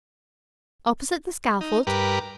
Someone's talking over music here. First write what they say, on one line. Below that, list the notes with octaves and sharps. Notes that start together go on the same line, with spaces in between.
"Opposite the scaffold?"
D#4
G2 G4 A#4 B4